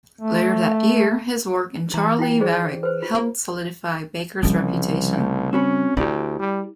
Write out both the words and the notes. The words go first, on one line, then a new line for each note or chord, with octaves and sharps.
Later that year, his work in "Charley Varrick" helped solidify Baker's reputation.
A3
E3 A#5
E4 F4 G5
G#4 C5 D5
B4 C5
F4
A#3
C2 C#3 F3 G3
A3
C4 C#4 F#4 B5
D2 E4 G4 D5
G3